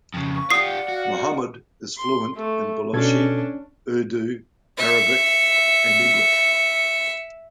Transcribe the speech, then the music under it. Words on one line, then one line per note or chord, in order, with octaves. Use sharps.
Mohammed is fluent in Balochi, Urdu, Arabic, and English.
F2 C#3
B4 F5 C#6
F4 G4 D5 F5 F#5 D#6 C7
F#4
C6
A3
B2 C#4 D4 A4 G#6
E5 C#7